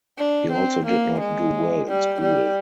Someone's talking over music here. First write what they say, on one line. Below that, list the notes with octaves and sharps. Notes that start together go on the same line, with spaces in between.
He also did not do well in school.
D4
C4
A#3
G#3
G3
G3